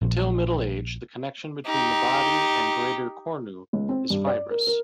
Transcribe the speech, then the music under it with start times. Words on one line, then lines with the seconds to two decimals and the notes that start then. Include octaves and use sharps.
Until middle age the connection between the body and greater cornu is fibrous.
0.02 A#1
1.67 D#4 G4
3.73 C#2
3.89 C4
4.10 G2
4.26 D5
4.50 A#4
4.67 A#4